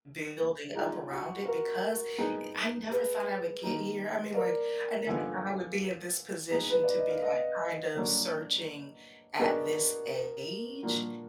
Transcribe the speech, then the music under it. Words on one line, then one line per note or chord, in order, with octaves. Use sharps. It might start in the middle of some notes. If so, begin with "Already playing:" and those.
building up around it because e I never thought I would get here, I mean, like, I never thought I would be in this position to be, like, kind of searching at this age,
G#3 D#4 F4 G#4 D5
F#4
F#4 A#4
G#3 B3 D#4 G#4
G#4 B4
D#3 A#3 D#4 G#4
A#4 D5
D3 F3 B3 F5 G#5
B3 D#4 G#4
B4
D5
D#5
F5
D#5 F#5
D3 F#3 A#3 D4 F#4
B3 D4 F#4 G#4 A#4 D#5
A#2 F3 A#3 D4 F#4